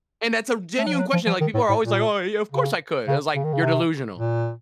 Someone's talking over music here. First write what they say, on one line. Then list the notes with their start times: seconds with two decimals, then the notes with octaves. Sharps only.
And that's a genuine question, like, people are always, like, "Oh, yeah. Of course I could." It was, like, "You're delusional.
0.78 A3
0.86 F#3
0.93 F3
0.99 F#3
1.13 F3
1.27 F3
1.41 D#3
1.54 A2
1.69 A2
1.83 A#2
2.52 C#3
3.08 C#3
3.35 C#3
3.44 D#3
3.53 C#3
3.62 C3
4.18 A#2